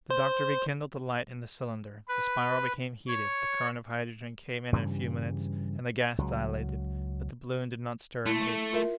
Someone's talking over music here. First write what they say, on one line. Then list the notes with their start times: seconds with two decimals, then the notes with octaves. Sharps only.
The doctor rekindled the light in the cylinder; the spiral became heated; the current of hydrogen came in a few minutes, and the gas dilated; but the balloon did not stir an inch.
0.10 C5
2.08 B4
3.08 C#5
4.73 G2 C#3 E3 G3
6.18 C#2 F#3
8.26 A3 E4
8.73 F4 A#4 E5